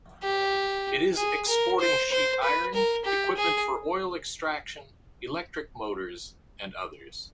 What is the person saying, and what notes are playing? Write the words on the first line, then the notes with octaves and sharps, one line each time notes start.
It is exporting sheet iron, equipment for oil extraction, electric motors and others.
G4
G#4
A#4
C5
C5
B4
A#4
G4
G#4